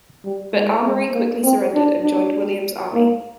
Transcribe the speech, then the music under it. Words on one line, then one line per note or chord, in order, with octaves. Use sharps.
But Amaury quickly surrendered and joined William's army.
G3
G#3
G#3
A#3
C4
D4
D4
A#3